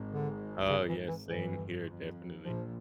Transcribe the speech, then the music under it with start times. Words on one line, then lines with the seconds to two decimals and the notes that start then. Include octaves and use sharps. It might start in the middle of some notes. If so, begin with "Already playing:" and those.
Oh, yeah, same here, definitely.
Already playing: G#1 G#2
0.12 D3
0.70 C#3
0.89 E3
1.09 E3
1.28 G1 G2 E3
1.86 F2
2.44 A#1 A#2 F3